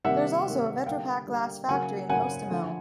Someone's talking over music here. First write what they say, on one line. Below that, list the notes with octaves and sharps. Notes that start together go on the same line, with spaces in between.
There is also a Vetropack glass factory in Hostomel.
C3 D#3 G3 A#3 E5 F#5
C3 D#3 G3 A#3
D3 G3 A#3 F5 G5
D3 G3 A#3
C#3 F#3 A#3 F#5 G#5
C#3 F#3 A#3 F#5 G#5
D3 F3 A3